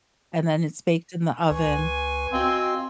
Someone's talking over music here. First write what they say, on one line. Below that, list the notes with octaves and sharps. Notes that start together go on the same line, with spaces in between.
And then it's baked in the oven,
C#2 B4 G#5 C#6
C4 F#4 D#5 F5